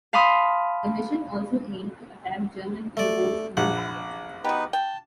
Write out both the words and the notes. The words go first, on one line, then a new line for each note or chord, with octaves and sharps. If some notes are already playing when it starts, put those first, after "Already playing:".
The mission also aimed to attack German U-boats in the harbour.
F5 A5 B5 C6 D#6
A3 D5
A#1 F#5
B3 D#4 F#4 G4 B4
G5 A5